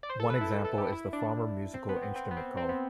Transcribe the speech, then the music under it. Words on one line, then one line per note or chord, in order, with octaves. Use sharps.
One example is the Farmer Musical Instrument Co!
D5
C5
A4
B4
E4
A4
A4
G4
E4
D4
C4
B3
C4
C4
B3
C4
C4
B3